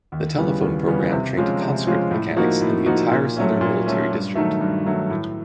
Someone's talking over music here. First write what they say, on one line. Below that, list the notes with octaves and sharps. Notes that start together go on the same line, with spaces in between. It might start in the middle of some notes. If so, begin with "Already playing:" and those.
The Telephone Program trained conscript mechanics in the entire Southern Military District.
D#2
C#3 E3 G3 B3
D#2
C#3 E3 G3 B3
C3
F3 G#3 C#4 F4
C3
F3 G#3 C#4 F4
A2
F3 A#3 D#4 F#4
A2
F3 A#3 D#4 F#4
A#2
F#3 A3 C#4
A#2
F#3 A3 C#4
G2
D#3 F#3 A3
G2
D#3 F#3 A3
A2